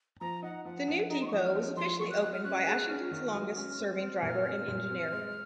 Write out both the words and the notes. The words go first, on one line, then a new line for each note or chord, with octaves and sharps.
The new depot was officially opened by Ashington's longest serving driver and engineer.
F3 A#5
D#4 F#5
F3 F#5
F3
D#4 A#5
C6
C#6
F3 D#6
F6
F3
F3 C6
F#3 C#6
F#6
F#3 F#6
F6
C#4 F#6
G#4
C#4 F6
D#3
F#3
C#4
C4
C4
A#2 F6
C4
A#2
C4
G#3